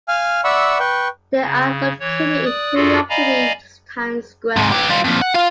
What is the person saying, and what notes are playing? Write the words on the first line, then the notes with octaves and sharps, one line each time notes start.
They are located in New York City's Time Square.
F5 G#5 F6
D5 E5 F#5 B5 C#6 E6
B4 G5 C#6
C#3
E3 C#5
D5 D#6 F#6
F#2 F4 F#4 G#4 A4
D5 D#5 F5 G#5 A#5 B5
G#2 C3
E3 G4
G3 F4
F2 A#2
F#5
F4 F5